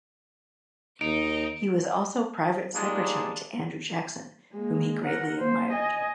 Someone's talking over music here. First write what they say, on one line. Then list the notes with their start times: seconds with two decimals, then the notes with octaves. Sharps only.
He was also private secretary to Andrew Jackson, whom he greatly admired.
1.01 D#2 D#4 D7
2.74 G3 G#3 A#3 D4 D#4 F4
4.53 G#3 A#3
5.05 A#4 F#5
5.39 A#3 C5
5.71 D#5 G#5